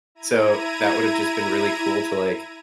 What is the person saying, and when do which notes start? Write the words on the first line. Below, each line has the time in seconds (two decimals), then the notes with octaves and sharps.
So, that would’ve just been really cool to, like,
0.15 E4 A#5 G#6 D#7